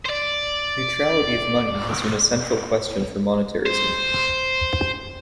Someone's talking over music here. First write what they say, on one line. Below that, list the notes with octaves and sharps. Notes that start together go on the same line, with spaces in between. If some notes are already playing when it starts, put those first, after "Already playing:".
Neutrality of money has been a central question for monetarism.
C5
D5
C5